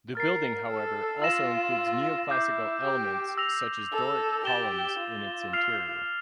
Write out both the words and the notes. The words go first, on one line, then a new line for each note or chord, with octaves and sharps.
The building however also includes Neoclassical elements such as Doric columns in its interior.
A#4 F6 A6 C7
A4
F4 E6 A#6 E7
E4 D6 G6 C7
G4
E6 A#6 F7
A4
G4 A6 E7 G7
F4
F6 C7 F7